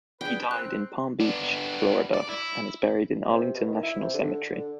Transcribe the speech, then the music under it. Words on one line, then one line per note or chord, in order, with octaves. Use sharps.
He died in Palm Beach, Florida, and is buried in Arlington National Cemetery.
D4 G#4 B4 G5
C4 F#6
B3 D4
D5
E4
C3
B2
D#3
E4
C3
D3
D3